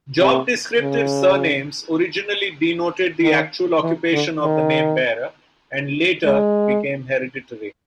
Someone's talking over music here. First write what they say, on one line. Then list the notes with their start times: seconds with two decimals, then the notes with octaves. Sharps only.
Job-descriptive surnames originally denoted the actual occupation of the namebearer, and later became hereditary.
0.20 C3
0.80 C#3
3.22 D#3
3.82 E3
4.13 D3
4.43 D#3
6.25 G#3